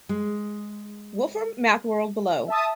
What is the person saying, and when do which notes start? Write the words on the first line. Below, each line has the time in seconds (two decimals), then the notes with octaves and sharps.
Wolfram MathWorld below.
0.09 G#3
2.48 E5 A5 D#6